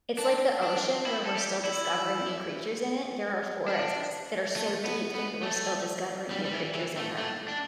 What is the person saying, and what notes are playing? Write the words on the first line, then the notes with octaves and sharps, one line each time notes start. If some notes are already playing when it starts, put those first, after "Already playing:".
it's like the ocean where we're still discovering new creatures in it. There are forests that are so deep that we're still discovering new creatures in them,
D4
D4
E4
A4
G4
E4
D4
A3
B3
B3
A3
G3
G3
E3
E3
A3
A3
D4